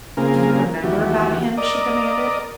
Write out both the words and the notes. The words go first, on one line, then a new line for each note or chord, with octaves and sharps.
"Do you remember about him?" she demanded.
C#3 A#3 C4 F4 G#4 A#4
D#2 E3 F#4 G4
A#4 D5 D#5